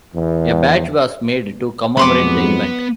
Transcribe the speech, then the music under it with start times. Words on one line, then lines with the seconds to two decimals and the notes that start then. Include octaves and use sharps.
A badge was made to commemorate the event.
0.14 E2
1.97 F2 F#3 G#3 B3 B5 C6 D6